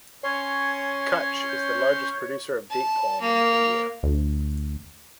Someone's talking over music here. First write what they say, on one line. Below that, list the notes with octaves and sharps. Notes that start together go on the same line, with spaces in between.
Kutch is the largest producer of date palm in India.
C#4 C#5 G#5 C6
G6
A5
A#3
D2